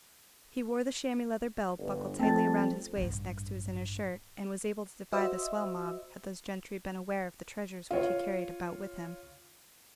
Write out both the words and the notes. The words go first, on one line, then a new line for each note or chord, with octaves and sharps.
He wore the chamois-leather belt buckled tightly round his waist next to his inner shirt, and was able to defy the swell-mob, had those gentry been aware of the treasures which he carried about with him.
G1
F2 A3 C4 A5 A6
A1 G2
F#4 C5 D#5 E5 E6
F4 C#5